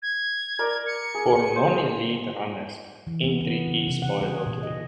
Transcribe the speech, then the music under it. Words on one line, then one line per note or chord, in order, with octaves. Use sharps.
For non-elite runners, entry is by lottery.
G#6
A#4 D5 A#5
C#7
G#4
C5
E3
B3
B3
C#3
C3
F#5
G#4
A#2
D#5